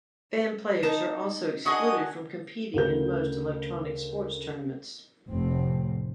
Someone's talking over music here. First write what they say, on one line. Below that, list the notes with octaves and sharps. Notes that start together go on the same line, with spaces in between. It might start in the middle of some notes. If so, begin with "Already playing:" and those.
Banned players are also excluded from competing in most electronic sports tournaments.
D#4 A5
D4 F#4 G#4 D#5 F#5 D#6
D2 C#3 A#4 G6
F1 A2 C4